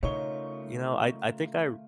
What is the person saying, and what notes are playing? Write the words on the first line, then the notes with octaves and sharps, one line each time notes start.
you know, I I think I r
C#3 A3 D#4 F4 A#4 C#5 C#6 G7